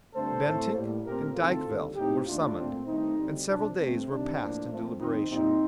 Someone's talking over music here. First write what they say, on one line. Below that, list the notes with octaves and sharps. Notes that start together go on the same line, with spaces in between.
Bentinck and Dykvelt were summoned, and several days were passed in deliberation.
G2 D3 A3 C4 A4 C5
A2 A3 C4
A2 G3 A#3
A#2 A3 C4 G4 A#4
D2 C3 D#3 A3 C4 F4 A4
D#2 D3 G3 C4
A2 A3 C4 D#4 G4
D#2 D3 A3 D4 F4
A#2 A3 C4
G2 D#3 A3 C4 D#4
D2 D3 G3 C4
C2 C3 F3 D4
G2 D3 A3 C4
C2 C3 D#3 D4
A2 F3 A#3
A#2 F3 A3 C4
F2 D#3 A#3 C4 D#4
A#2 G3 A#3 C4 D#4